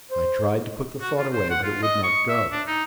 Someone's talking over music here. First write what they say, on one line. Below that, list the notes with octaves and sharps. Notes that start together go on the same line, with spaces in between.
I tried to put the thought away, but it would not go.
C5
F#4
F4
C5
F#5
F4
D#5
C#6
E5
D4
D#4